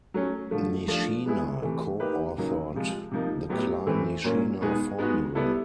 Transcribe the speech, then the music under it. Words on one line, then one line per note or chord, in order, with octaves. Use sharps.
Nishina co-authored the Klein-Nishina formula.
F#3 A3 C#4
D3 F3 A3
F3 A3 D4 F4
G#3 B3 E4 G#4
C3 E3 A3
A#3 D#4 G4 B4
C#3 F#3 A#3 D#4
C3 F3 G#3
C3 F3 A#3 D#4
A2 F#3 B3 E4 G4
A2 E3 A3 C4
A#2 F#3 A#3 C#4
B2 G#3 B3 D#4 G#4
G#3 B3 D#4 F#4
G3 B3 E4 A4